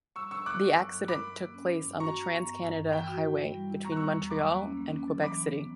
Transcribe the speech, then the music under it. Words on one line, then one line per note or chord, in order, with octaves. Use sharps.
The accident took place on the Trans-Canada Highway between Montreal and Quebec City.
G3 C#6 E6
D4 C#6 E6
B3 D6 F#6
G2
F#3
G2
A#4 B5 D6
F#3
A#3
C#4
F#3
G2
F#4 A#5 C#6
F#4
B3
G2
G2
G2
E3 G5 B5
F#4
F#4
E4
G3
E4
B3 A#5 C#6
F#6
C#6 E6
G3
E2
F#3 B5 D6
A#3
C#4
A#3
C#4
F#3
E3 B5 D6
E3
B3